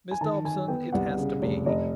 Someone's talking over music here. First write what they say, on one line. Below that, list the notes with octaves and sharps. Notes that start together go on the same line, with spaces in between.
Miss Dobson, it has to be.
G#5
D#3 A5
D#3 G#5
B3 G5
C2 F#5
C#3
F1
F1 D#5